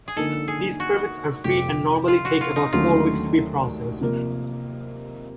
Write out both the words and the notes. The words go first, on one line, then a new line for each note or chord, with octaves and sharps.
These permits are free and normally take about four weeks to be processed.
G#4
D3 F3 A#3 D#4 A4
G#4
F#4
F2 C3 F3 G4
F4
F#4
F4
D#4
D#2 D3 F#3 A3 C#4 F4
C3 F3 A#3